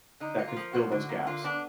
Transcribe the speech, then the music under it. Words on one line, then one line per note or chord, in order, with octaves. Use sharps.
that could fill those gaps.
D3 D#4
A#3
F4
F3
F#2 F#4
D3
A#3
D3 F4
B3 D4